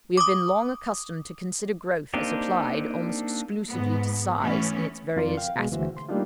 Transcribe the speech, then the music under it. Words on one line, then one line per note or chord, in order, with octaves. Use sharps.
We have been long accustomed to consider growth as applied almost exclusively to size in its various aspects.
D6 D#6
A#3 C4 D4 D#4 G4
G#2 B3
E3 A3 B3 C#4
F2 F4 A#4 D5 C6
F5 G5
B2 G#3
D2 E3 F#4 C5 E5
C6
G3 A3 A#3 D4 D#4 F4